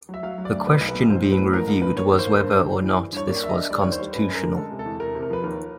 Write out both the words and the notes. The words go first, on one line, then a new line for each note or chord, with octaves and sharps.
The question being reviewed was whether or not this was constitutional.
F#3
E5
F#3 F5
F#3
D5
D2
B2 B4
B1
B4
B2
A1 C5
F#3
B4
A2
A1 A#4
A1 A#4
G2 B4
A#3 C#5
D#2
C5
A#3
G2 C5
G2
G3
E3
E3
G2 C#5
A#3 D5
D4 E5
D#5
D4
G3 D5
C#5
D#2
C5
G3
F#2 B4
F#2
A#4
D3
G#3 A4
C3
A4
E2
C3 A#4
C3
A#4
F3 B4
D#2 A#4